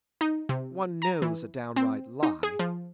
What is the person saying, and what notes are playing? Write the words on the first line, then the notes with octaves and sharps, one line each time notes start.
One knows a downright lie.
D#4
C3
A#5
E3
C4
D#4
G#4
F3